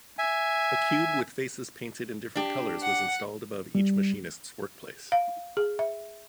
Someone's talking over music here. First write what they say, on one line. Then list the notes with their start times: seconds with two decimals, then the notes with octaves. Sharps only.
A cube with faces painted in different colors was installed above each machinist's workplace.
0.18 E5 G#5
2.35 D4 G4
2.82 F#5
3.75 G3
5.12 F5
5.57 G#4
5.79 E5